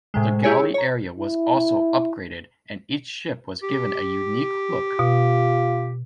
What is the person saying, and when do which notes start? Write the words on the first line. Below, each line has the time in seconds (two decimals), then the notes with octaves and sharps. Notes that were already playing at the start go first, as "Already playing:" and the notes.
The galley area was also upgraded and each ship was given a unique look.
0.14 A2 C3 G#3
0.43 E4 G4 G#4 C#5 G#5
0.74 C#5 A#5
1.19 E4
3.63 G4
4.99 B2 F4